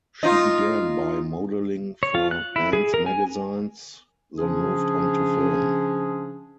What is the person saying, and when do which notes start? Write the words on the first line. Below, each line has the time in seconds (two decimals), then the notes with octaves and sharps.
She began by modelling for men's magazines, then moved on to film.
0.23 D#4 F4
2.03 C#5
2.15 F4
2.31 F#6
2.56 E4
2.73 G#4
2.94 A#4
3.06 G#5
4.37 C#3 F3 C#4 D4 G#4